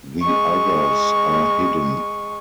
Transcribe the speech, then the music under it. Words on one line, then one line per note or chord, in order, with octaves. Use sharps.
The others are hidden.
G#3 C#6